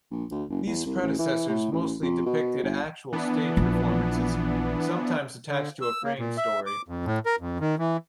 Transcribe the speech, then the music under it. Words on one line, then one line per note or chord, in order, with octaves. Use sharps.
These predecessors mostly depicted actual stage performances, sometimes attached to a frame story.
A#1
D2
F#1
E2
C2
A1
E3
A2
A1
F2
B2
G1
E3 B3 D4
A#1
D3
E6
A#3
A#2
E5
D6
F2
A2
A#4
F2
D#3
E3